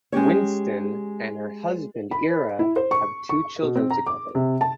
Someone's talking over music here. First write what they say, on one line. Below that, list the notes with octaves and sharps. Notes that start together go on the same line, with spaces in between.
Winston and her husband Ira have two children together.
G#3 C#4 G4 C#5
B5
E4
C5
C#6
C#6
B2
C4
A#5
D6
C3
A5